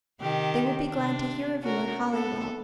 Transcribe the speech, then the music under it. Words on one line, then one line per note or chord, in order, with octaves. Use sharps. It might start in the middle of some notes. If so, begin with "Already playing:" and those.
They will be glad to hear of you at Hollywell.
C3 D#3 G4
C3 D4
C#4 F#4 A#4
B3 A4